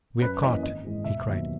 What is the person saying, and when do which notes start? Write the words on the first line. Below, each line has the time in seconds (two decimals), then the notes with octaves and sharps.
"We're caught!" he cried.
0.21 F#2 B4
0.42 E3 A#3 C#4 D#5
0.63 G#1 D#5
0.84 G#2 E3 G#3
1.04 E1 E5
1.26 D#2 D#3 F#3 B3